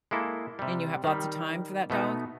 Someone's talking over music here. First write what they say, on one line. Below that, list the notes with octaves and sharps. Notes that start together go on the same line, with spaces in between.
And you have lots of time for that dog?
G#3 A#3 E4 A4
C3 G3
D#3 G3
B2 A3 B3 D#4